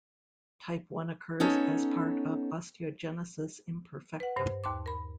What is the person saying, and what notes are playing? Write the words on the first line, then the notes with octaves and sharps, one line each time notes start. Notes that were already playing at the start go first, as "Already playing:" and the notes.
Type One occurs as part of osteogenesis imperfecta.
B3 C#4 D#4 A4 C#5
B4 F#5
G2 C5
D#2 A5 C6 D6
A#4 B5